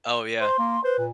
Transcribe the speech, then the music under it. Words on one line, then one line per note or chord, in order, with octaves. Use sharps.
Oh, yeah.
C5 C6
A#3
B4 C5
A#2